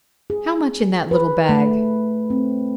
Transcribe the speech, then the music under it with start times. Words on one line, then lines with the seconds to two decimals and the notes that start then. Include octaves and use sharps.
"How much in that little bag?"
0.30 G#4
1.11 B4
1.49 A3
2.30 C4